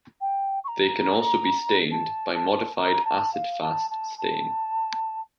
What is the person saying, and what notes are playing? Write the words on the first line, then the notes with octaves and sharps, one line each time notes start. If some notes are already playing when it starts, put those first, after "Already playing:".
They can also be stained by modified acid-fast stain.
G5
C#6
A#5
A5
A5
A#5
A5
F5
A5
A5
A5